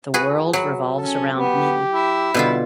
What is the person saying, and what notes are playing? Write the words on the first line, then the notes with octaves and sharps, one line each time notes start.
The world revolves around me.
F#4 G#4 B4
F#3 B5
C#4 A4
B3 G4
E4
B2 D3 G3 F4